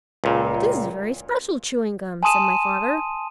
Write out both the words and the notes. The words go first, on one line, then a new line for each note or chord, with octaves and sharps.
"But this is very special chewing gum," said my father.
C#2 A#2
G#5 A5 C6 D#6 D#7 E7